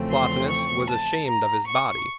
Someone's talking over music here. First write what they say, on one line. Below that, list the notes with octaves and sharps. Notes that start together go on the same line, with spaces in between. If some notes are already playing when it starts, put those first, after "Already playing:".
Plotinus was ashamed of his body.
Already playing: E2 C#3 F3 A3 C4
C6
C#6
A5
A#5
C#6